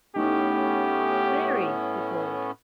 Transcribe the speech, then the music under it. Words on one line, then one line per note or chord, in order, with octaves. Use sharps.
"Mary!" he called.
A2 A3 B3 C#4 D#4 G4